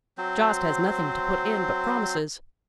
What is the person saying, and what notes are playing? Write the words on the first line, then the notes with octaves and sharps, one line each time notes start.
Jost has nothing to put in but promises.
F#3 C4 C5